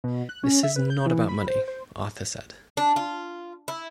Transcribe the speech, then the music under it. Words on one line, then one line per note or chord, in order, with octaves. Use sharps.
"This is not about money," Arthur said.
B2
F#6
C#4
E5
B4
G6
E3
B5
C5
C5
D4
F4
E4